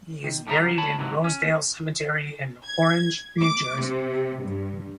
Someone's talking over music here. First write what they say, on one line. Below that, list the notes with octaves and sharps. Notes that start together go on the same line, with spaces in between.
He is buried in Rosedale Cemetery in Orange, New Jersey.
D#3
A2 G3 D#4 E4 A#5
C#3 F#3
D#2 C#5 A5 B5
G#2 C3 D#3 E3 F#3
C#4
G#6
D6
C3
G2